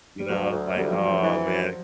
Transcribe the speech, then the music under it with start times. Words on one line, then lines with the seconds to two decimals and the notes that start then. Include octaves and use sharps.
you know, like, aw, man
0.20 G3
0.29 D2 F#3
0.53 D2
0.76 D2 G3
0.87 F3
0.93 F#3
1.00 D2
1.08 F3
1.23 E3
1.47 D2